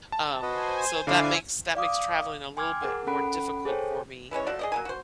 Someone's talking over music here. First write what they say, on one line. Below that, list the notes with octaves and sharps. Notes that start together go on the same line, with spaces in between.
Um, so, that makes, that makes traveling a little bit more difficult for me.
A5
F#4 B4 C5 D#5 G#5
D3 D4 E4 D5 E5 F5 G#5
D5 F5 D6 D#6
G5 G#5 C6 D6 F6 G#6
G#4 A#4 F#5
C#4 A4 F#5 B5 D7
G#4 A4 C5 C#5 G5 G#5
E3 G#3 C#4 C#5
F3 A3 F#4 D5
G#4 D5 D#5
F#3 A#3 G#5
F#4 C5